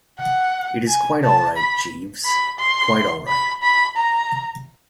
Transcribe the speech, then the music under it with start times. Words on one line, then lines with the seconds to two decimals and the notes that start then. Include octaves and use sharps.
It is quite all right, Jeeves, quite all right.
0.19 F#5
0.88 G#5
1.23 A5
1.56 B5
2.25 B5
2.59 C6
3.28 B5
3.62 B5
3.96 A#5